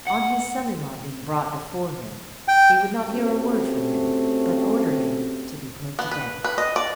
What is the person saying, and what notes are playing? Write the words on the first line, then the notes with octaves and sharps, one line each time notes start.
On his son-in-law being brought before him, he would not hear a word from him, but ordered him to be put to death.
F#5
G5
A3 C4 C#4 F#4 G4
B3
B4
B4
D#5
D5